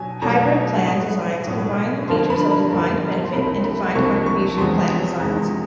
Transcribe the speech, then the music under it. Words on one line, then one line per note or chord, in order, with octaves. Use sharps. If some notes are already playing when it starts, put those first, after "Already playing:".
Hybrid plan designs combine the features of defined benefit and defined contribution plan designs.
Already playing: B2 F#3 G#5
B2 F#3 A3 A#5
A2 F#3 B3
A2 F#3 B3
G2 D3 F3 A#3 C6
B5
B5
A#5
G2 D3 F3 A#3
C6
C2 C3 F3 A#3 B5
B5
C2 C3 F3 A#3 C#6
C#6
E2 C3 F3 G#3 B3 C6
E2 C3 F3 G#3 B3 A#5